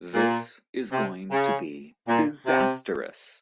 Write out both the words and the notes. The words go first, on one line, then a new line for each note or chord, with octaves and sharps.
This is going to be disastrous.
A#2
C3
C#3
A#2
C3